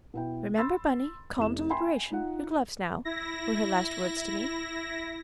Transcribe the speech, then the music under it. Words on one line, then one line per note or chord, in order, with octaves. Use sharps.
"Remember, Bunny--calm deliberation--your gloves now," were her last words to me.
B2 E4 G5
B5 C6 E6 A6
F1 E4 E7
E5 G5 G#5 B5 C6
D#4 F4 F#5
E4 A#6